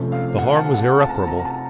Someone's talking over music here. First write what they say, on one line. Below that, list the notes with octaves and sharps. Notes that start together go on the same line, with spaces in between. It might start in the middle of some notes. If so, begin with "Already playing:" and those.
The harm was irreparable.
Already playing: C3 F3 A3 C#4
F5
F#5
A5
F#5
A5
A#5
A#5
A#5
A5